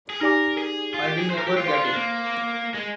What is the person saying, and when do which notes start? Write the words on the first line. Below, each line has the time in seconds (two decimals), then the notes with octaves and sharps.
I will never get in.
0.10 G#4
0.21 D#4 G4 A#4 D5 G#5 D6
0.58 G#4
0.94 F4
1.05 G4
1.18 G#4
1.30 C5
1.38 A#4
1.47 G4
1.57 F4
1.65 G4 C5 F5 C6
1.74 F4
1.84 D4
1.93 A#3
2.74 G#3